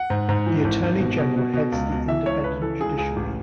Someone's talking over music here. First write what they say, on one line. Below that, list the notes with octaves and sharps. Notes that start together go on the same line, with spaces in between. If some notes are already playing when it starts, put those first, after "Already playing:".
The Attorney General heads the independent judiciary.
Already playing: F#5
G#2
G#2
E3
G#1
G#1
B2
B2
B2
B2
C#2
B2
E3 E5
C#2 C#5
C#3 B4
E3 A4
C#2 G#4
C#2 G#4
A1